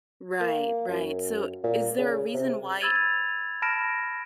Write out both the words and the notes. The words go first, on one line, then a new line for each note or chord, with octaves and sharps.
Right, right, so is there a reason why
A#3
F#2
A#2
C#3
C3
B5 E6 G#6 A6 D#7 F7
A5 B5 F6 A#6 D7 E7